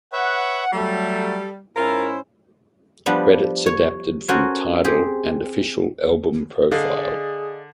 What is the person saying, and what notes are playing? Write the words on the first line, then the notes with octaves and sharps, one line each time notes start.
Credits adapted from Tidal and official album profile.
B4 C#5 E5 F#5
F#3 G3 A3 A4
G#2 C#4 E4 F4 A#4 C5
F3 G3 B3 D4
C#5
C#4 F#4 A4 A#4 C5 C#5
C4 G4 G#4
D3 G#4 D5 D#5 F5